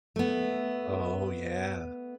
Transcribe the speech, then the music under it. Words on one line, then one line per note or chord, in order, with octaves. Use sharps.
Oh, yeah.
A3 B3